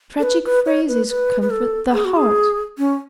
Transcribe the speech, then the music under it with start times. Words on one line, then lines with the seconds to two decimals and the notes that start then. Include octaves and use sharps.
Tragic phrases comfort the heart....
0.19 A4
0.23 B4
0.45 B4
0.66 C#5
0.88 B4
1.08 B4
1.42 B4
1.50 A4
1.93 G#4
2.05 F#4
2.17 G#4
2.78 C#4